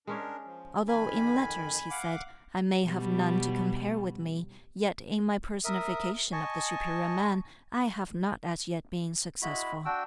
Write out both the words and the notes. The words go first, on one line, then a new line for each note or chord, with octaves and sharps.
"Although in letters," he said, "I may have none to compare with me, yet in my personification of the 'superior man' I have not as yet been successful."
G#3 C#4 D4 A#4 C#5
F3
F2 D#3 G#5 B5
F5 F#5 D6
B2 G3
A#4 E5 D#6
D#5 G#5 A5 C#6
G#3 E4 F#4 B5
D4 F#4 G5 E6